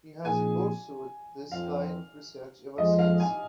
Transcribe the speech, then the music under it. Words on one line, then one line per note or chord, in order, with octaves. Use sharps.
He has pursued this line of research ever since.
A#2 F3 C4 D#4 G#4 G#5
F2 F3 C4 F5
F2 F3 G#3 D#5
F5
G#5